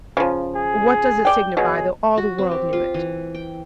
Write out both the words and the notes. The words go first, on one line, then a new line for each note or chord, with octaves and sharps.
"What does it signify though all the world knew it?"
C#3 F3
G#4
D5 G5
B2 F#3 G#4
F#4
C4
G4
F4
E3
G5